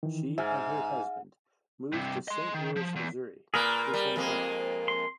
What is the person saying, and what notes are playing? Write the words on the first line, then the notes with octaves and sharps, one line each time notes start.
She and her husband moved to Saint Louis, Missouri, his home town.
D#3 E3
G#2 E5 G#5 F6
G2 C3
D#5 C6
D#3
F3
E2
A#2 A#3 G#4 A#4 B4
G3
F2 G#3 A#3
C6